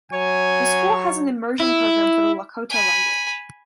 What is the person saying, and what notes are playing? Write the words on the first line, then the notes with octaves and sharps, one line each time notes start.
The school has an immersion program for the Lakota language.
F#3 C#5 G#5
E4
G#5 B5